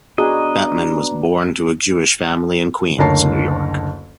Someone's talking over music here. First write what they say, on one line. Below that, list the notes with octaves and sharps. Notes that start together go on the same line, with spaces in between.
Bettman was born to a Jewish family in Queens, New York.
B2 D4 F#4 G#4 D#5 A#5
F#1 D2 A#4 C#5 A5 C7